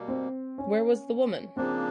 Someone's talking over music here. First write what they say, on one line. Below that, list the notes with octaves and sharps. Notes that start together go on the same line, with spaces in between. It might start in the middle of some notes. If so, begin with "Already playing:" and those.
Where was the woman?
Already playing: B2 G3 A#3
C4
C#4
C#3 F3 A#3 C4 D4